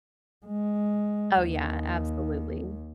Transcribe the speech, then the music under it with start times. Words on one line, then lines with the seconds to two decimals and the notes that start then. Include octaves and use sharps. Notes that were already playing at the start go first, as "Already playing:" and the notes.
Oh, yeah, absolutely.
0.46 G#3
1.38 D#2